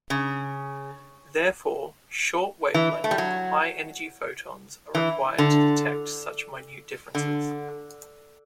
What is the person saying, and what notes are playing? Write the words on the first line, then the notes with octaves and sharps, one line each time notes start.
Therefore, short wavelength high energy photons are required to detect such minute differences.
C#3
E3
A3
G3
F#3
E3
D3
D3